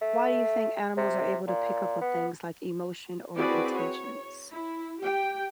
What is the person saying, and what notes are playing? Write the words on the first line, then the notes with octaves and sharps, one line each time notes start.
Why do you think animals are able to pick up on things like emotion or intentions?
A3
C3
A#2
B3
C4 E4 F#4 G#4 B4 D5
C#5
E4
G4 G5